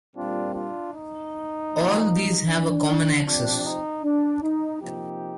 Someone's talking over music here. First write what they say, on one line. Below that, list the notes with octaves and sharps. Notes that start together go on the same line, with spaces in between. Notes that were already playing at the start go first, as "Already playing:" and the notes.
All these have a common axis.
A#2 G3 C4 D4 F4
D4 F4
D#4
A#2 F3 A#3
D4
C3 F3 C4 D4
D#4
D4
D#4
C3 F3 A#3 D#4 G4